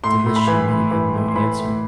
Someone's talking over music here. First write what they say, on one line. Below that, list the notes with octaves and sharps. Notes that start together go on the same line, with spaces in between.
To this she made him no answer.
A2 C6
A2
B5
E3
A2
E3
A2
C6
E3 B5
A2